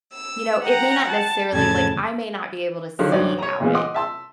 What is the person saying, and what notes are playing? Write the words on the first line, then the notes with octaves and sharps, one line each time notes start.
you know, it may not necessarily like, I may not be able to see how it
E6
F#5 G5 A#5
A5
F2 A2 C#3 A3 A5 G#6
D3 D#3 F3 F#3
C2 F#2 F#3 F#4 D5
C#5 A#5
A#2 C#3 E3 G#3 A#3 B3
D#5 F#5 C6 D6
E5 A5 C6 E6